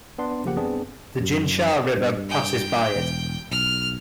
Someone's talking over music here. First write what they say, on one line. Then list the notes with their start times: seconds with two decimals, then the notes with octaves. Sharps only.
The Jinsha River passes by it.
0.18 B3 D4 C6
0.44 B1 C#3 F3 A#3 G4 F#5
0.57 G2 B3 C4 D4 G#4
1.21 F#2
1.97 G2
2.29 G5
2.96 E1
3.51 B1 F6